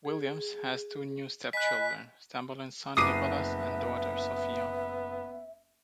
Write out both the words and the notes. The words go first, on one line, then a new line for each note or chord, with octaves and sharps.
Williams has two new step children, Sambolin's son Nicolas and daughter Sofia.
G#4
D#5 G#5 B5 F#6 B6
F#1 B3 E5 D6 D#6 C7 D#7